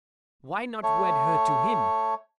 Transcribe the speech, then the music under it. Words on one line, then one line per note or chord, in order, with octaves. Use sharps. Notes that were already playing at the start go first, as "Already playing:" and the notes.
Why not wed her to him?
A3 C#5